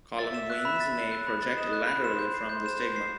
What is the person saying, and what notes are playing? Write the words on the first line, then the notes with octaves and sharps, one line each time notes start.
Column wings may project laterally from the stigma.
E5 A6
E7
F#6
B5
A6
E7
F#6
B5
A6
D#5 E7
F#6
B5
C5 E7
G6
C7
C5 G6
E7
G6
C7